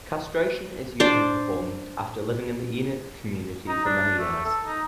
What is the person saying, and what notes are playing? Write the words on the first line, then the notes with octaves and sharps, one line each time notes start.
Castration is usually performed after living in the eunuch community for many years.
D4 C5 D5
D#4
D4
A3
A4
D#4